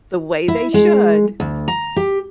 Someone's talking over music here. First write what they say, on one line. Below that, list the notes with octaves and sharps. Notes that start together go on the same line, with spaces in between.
"the way they should,
E4
G#3
D2
A#5
G4